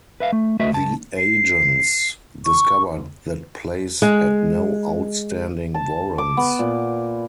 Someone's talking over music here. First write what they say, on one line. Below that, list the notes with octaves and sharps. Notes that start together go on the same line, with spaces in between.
The agents discovered that Place had no outstanding warrants.
B4 E5 F5
A3
A3 F#4 B4 D#5 E5
C#2 A5
C7
C#6
G#3
A5
D6
B3
A#2